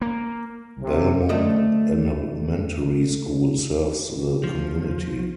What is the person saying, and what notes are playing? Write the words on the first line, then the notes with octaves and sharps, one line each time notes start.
Belmont Elementary School serves the community.
A#3
C3
D2 A3 D#5
F3